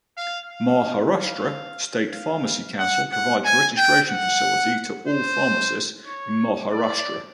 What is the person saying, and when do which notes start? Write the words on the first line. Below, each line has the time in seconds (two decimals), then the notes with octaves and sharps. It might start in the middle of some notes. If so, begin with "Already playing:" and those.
Maharashtra State Pharmacy Council provides registration facility to all pharmacists in Maharashtra.
0.18 F5
0.51 F5
1.17 F5
2.14 F5
2.79 F#5
3.13 F#5
3.45 G#5
3.77 G5
4.10 F#5
5.08 C5
6.06 C#5
6.72 D5